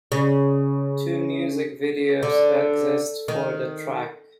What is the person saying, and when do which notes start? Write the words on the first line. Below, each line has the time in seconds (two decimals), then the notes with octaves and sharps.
Two music videos exist for the track.
0.12 C#3
2.23 D3
3.28 D#3